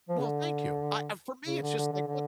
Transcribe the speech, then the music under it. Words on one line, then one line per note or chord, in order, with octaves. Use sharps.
Well, thank you. I, uh, for me, it's just like, look
F3
C#3
D3
C#3
D3
D3
D3
D3